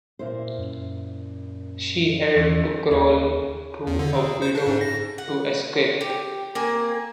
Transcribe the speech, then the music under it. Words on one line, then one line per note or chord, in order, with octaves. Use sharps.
She had to crawl through a window to escape.
A#2 E4 C5
F#2
E2 C#4 F#6
D#2 C#5 E5
E2
D3
C#3
C5
D4
G#2
A#6
F#5
G4
A#3 C4 G#5